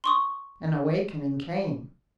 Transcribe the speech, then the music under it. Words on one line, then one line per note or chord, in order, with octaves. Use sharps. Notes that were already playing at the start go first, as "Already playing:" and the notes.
An awakening came.
C6 C#6 D#6